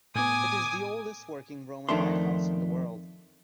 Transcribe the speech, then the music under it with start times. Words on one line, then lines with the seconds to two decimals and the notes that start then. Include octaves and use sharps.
It is the oldest working Roman lighthouse in the world.
0.15 A2 B3 G#5 D6 D#6
1.89 F2 D#3 A3 D4 C6